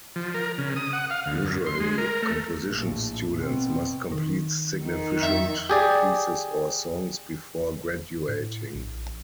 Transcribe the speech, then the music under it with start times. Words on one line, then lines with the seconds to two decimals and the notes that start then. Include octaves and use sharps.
Usually, composition students must complete significant pieces or songs before graduating.
0.16 F3
0.34 A#4
0.58 C#3
0.76 D#6
0.93 F#5
1.10 F5
1.26 D2
1.43 F#2
1.66 C6
1.80 G#3
1.98 A#4
2.22 A3
2.66 A#1 A2
3.38 B2 C4
4.12 D#3
4.84 D#3
5.23 F2 E5
5.69 G4 G#4 D5
8.28 A2
8.75 A#1